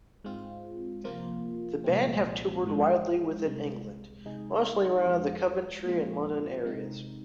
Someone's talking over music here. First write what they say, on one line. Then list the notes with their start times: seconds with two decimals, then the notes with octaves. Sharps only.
The band have toured widely within England, mostly around the Coventry and London areas.
0.24 G#2 G#3 C4 F4
1.04 C3 F3 A#3 F4
1.84 C2 A#2 F3 G#3 C4
2.64 G#1 G#2 F3 G#3
3.45 C2 C3 G#3
4.25 C3 G#3 D#4 G#4
5.05 F2 F3 G#3
5.85 A#2 F3 G#3 C4 F4
6.65 C3 G#3 C4 D#4